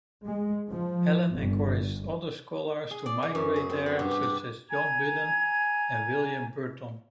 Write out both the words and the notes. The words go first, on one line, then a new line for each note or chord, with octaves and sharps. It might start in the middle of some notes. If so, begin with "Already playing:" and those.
Allen encouraged other scholars to migrate there, such as John Budden and William Burton.
G#3
F3
G1
G#4
D5
E3
F#2
G#4
C4
B3
G2
G4
D4
G#5 A#5 G#6